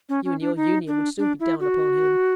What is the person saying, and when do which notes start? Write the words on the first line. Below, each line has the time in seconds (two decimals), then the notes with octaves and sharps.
You and your Union would soon be down upon him.
0.09 C#4
0.25 C#4
0.41 D4
0.56 D#4
0.87 D4
1.18 D4
1.40 E4
1.60 F#4